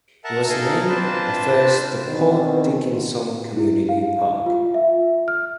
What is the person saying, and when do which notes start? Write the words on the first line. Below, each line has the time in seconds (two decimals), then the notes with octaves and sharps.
It was named, at first, the Port Dickinson Community Park.
0.24 A#4 E5 F#5 A5 A#5
0.50 D#4 A4 A#4 D#5 F5 G#5
0.89 C4 D4 F4 B4 C5 A5
2.06 B2 D3 D#3 C4
3.57 E4
3.89 F5
4.46 F4
4.74 E5
5.28 F6